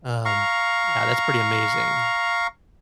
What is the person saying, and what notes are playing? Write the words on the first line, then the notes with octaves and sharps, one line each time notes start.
Um, yeah, that's pretty amazing.
F5 A#5 C#6